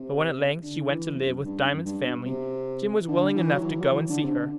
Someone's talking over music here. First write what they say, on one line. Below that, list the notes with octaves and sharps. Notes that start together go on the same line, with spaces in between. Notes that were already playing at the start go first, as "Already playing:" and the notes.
But when at length she went to live with Diamond's family, Jim was willing enough to go and see her.
Already playing: C3
D3
E3
E2
F#2
G2
F#2
G2
B2
C3
D3
E3
F#3
E3
F#3
E3
D3
C3
D3